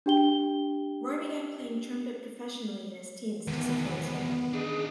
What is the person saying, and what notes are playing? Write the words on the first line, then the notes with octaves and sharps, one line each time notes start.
Roy began playing trumpet professionally in his teens to support his family.
D4 G4 G5 G7
E2 C3 D#3 B3
D4 D#4 G#4